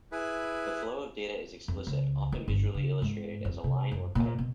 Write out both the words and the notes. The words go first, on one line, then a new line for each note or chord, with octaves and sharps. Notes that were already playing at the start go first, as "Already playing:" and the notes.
The flow of data is explicit, often visually illustrated as a line or pipe.
E4 G#4 B4
F2
C#2
D#3
G1
C#3
G#2
F2
C3
F#2
A#2
B2